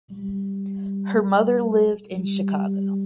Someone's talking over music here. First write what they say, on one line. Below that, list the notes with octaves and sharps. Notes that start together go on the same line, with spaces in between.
Her mother lived in Chicago.
G3
G3